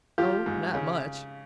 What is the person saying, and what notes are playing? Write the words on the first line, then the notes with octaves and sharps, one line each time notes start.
Oh, not much.
F3 F4 G4
G#2
C#3